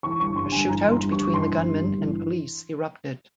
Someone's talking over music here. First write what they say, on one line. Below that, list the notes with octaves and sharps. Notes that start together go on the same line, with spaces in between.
A shootout between the gunmen and police erupted.
E3 C#6
G1 C#6
G2 C6
G1 G#5
E3 A#5
G1
C6
G2
C#6
G1
E3 C6
G1
G2
G1
E3